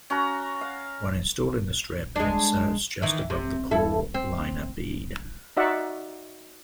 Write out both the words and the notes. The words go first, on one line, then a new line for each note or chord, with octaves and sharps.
When installing the strip, it inserts just above the pool liner bead.
C#4 F#4 A#5
F5
G#3 D4
D#3 E3
C3
G2 E4 A4
C4
D#4 F#4 D5 E5 F#5